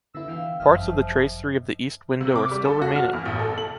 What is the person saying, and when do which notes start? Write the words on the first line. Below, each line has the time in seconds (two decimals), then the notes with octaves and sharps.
Parts of the tracery of the east window are still remaining.
0.15 D3 B3 E4 E6
0.28 E3 E5 F5 G5
0.60 G1 F#2 D#5 E5 F6
0.79 F3
2.21 C3
2.36 D6
2.51 G3
2.65 A4
2.82 F#4
2.96 F6
3.13 E2
3.26 A1
3.39 A4
3.58 F#7